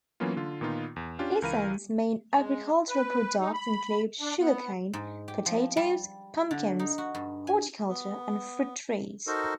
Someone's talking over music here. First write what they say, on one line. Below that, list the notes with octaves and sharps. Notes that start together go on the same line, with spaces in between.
Isen's main agricultural products include sugar cane, potatoes, pumpkins, horticulture, and fruit trees.
E3 F#3 A#3 B3 C#4 F4
D3 F4
A#2 D#3 B3 D#4 F4
E2
C#4 D4 F4 G4
C#2 E3 A#4 F5 B5 D#7
G#3
B4
D#4
B5
D4
B3
G#2
G4
F3
G3
D3
D#4
F#4
G2
G#5
B3
D#4 F#4 A4 A#4 C5